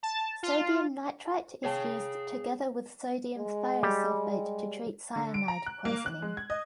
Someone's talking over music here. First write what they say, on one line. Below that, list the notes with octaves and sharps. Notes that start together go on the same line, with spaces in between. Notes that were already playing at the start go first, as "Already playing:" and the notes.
Sodium nitrite is used together with sodium thiosulfate to treat cyanide poisoning.
A5
F4
G#4 C#5 F5 G5 A5
G#3
G3 G4
D3
D7
A#5
F#6
A#3
F#6
G#3
G#6
D#5